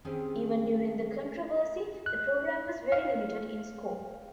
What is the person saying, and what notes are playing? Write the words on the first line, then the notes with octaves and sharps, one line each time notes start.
Even during the controversy, the program was very limited in scope.
D#3 C4 C#4 G4 G#4
F#6
F5